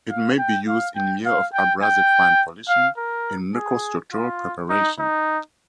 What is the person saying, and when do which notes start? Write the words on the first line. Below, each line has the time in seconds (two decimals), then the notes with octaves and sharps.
It may be used in lieu of abrasive fine polishing in microstructural preparation.
0.10 F5
0.38 G5
0.68 F5
0.96 G5
1.25 F5
1.54 G5
1.82 G5
2.68 F5
2.97 A#4
3.54 G#4
4.13 F4
4.70 D#4
4.99 D#4